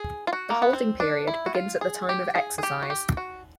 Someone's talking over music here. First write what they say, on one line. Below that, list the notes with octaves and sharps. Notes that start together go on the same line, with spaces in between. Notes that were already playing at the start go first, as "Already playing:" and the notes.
The holding period begins at the time of exercise.
Already playing: G#4
F4
F#4
A#3
B3
C4
D4
E4
F#4
F4
G#4
G4
G#4
G#4
G4
F#4
G4
F#4